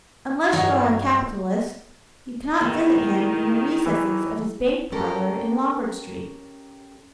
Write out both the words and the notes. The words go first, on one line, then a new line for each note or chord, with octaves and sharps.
Unless you are a capitalist, you cannot visit him in the recesses of his bank parlour in Lombard Street.
G2 F#3 D#4 C#5 F#5
E2 D#3
E3
C#4 G4 A4 A#4